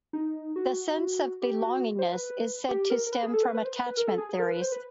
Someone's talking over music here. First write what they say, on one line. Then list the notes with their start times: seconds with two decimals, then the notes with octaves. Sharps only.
The sense of belongingness is said to stem from attachment theories.
0.13 D#4
0.56 F#4
1.42 G4
1.62 F#4
1.99 C5
2.12 B4
2.69 G4
2.90 A#4
3.07 A#4
3.12 B4
3.23 G#4
3.34 A4
3.43 B4
3.55 B4
3.65 C5
3.76 B4
3.86 B4
3.97 A#4
4.07 A4
4.18 G#4
4.29 G#4
4.39 A#4
4.51 B4
4.62 C5
4.72 B4